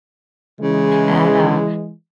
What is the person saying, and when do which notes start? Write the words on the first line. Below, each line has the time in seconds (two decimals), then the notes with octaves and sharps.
And, uh
0.61 C#3 E3 G#3